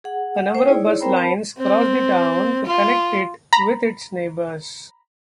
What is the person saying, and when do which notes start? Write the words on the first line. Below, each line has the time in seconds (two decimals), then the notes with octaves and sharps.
A number of bus lines cross the town to connect it with its neighbours.
0.04 G#4 F#5
0.38 F#5
0.55 C5 G5
0.67 D#4 E4 G#4 C#5 D5
1.01 C4 A#4 C5 G5 A#5 B5
1.16 C5 A5 B5
1.58 C4
2.66 F4
3.53 A#5 B5